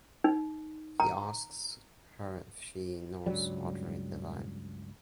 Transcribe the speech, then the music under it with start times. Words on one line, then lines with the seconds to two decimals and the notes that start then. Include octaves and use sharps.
He asks her if she knows Audrey Devine.
0.24 D#4
1.00 A#5
3.26 C#2 G2 F#3 G3